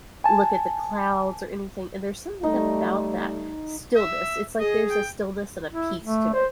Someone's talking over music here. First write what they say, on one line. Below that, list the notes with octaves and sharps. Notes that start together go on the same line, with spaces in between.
look at the clouds, or anything, and there's something about that stillness, it's like there's a stillness, and a peace to it.
G#5 A5
G3 A3 D#4
E5
G#4 D#5
G5
E4
A3
C5